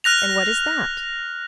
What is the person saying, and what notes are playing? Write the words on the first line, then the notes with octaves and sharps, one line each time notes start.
"And what is that?"
F6 F#6 A#6 F7